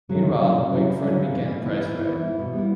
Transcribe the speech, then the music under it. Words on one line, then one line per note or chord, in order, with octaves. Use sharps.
Meanwhile, Wakefern began PriceRite.
F#3 C#4 E4
D3
F#3 C#4 E4
C#3
F#3 C#4 E4
C#3
F#3 C#4 E4
C#3
E3 B3 E4
C#3
E3 B3 E4
E3
B3 E4
E3
B3 E4
B2
G3 B3 E4